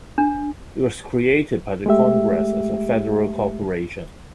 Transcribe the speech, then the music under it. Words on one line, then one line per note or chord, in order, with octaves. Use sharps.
It was created by the Congress as a Federal Corporation.
D4
G#3 A3 G4 E5